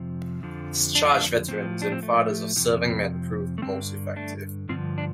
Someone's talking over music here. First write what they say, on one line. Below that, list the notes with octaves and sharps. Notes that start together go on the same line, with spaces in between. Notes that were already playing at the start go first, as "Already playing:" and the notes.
Discharged veterans and fathers of serving men proved most effective.
Already playing: F2 C3 F3
F2 D3 F3
D4
F4
A3 D4
A2 F3 C4
D4
C4
A3
F2 C3 F3
A3
G2 D3 F3 C4
A3 D4
G2 D3 F3 C4 F4
D4